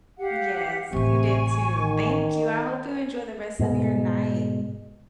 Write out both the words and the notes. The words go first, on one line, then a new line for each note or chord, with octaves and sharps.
Yes, you did too. Thank you, I hope you enjoy the rest of your night.
G4 F5 F#5
A1 C3 E3 G#5 C#6
D#3
G#2 B2 G#3